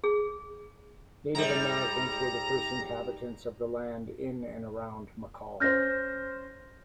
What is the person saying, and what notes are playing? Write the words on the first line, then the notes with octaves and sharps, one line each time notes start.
Native Americans were the first inhabitants of the land in and around McCall.
G#4
G#2 G3 A#5
C#4 C5 F6 G6 A#6